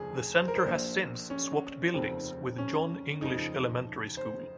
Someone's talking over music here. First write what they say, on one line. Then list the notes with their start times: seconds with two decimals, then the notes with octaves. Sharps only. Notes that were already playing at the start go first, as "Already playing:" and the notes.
The Centre has since swapped buildings with John English Elementary School.
Already playing: F1 D#2 C#3 F3 G#4
0.35 C5
0.48 A#4
0.56 C5
0.66 A#1 A#2 F3 C5
1.30 C#4
1.94 F1 D#2 C#3 F3 C4
2.58 C#4
3.21 F1 D#2 C#3 F3 D#4
4.17 C5